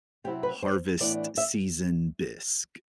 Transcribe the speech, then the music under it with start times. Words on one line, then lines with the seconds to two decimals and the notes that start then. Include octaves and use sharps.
harvest season bisque.
0.24 C3 F#3 C4 E4 G4
0.43 B4
0.62 C5
1.00 A2 E3 B3 D4 D5
1.37 E5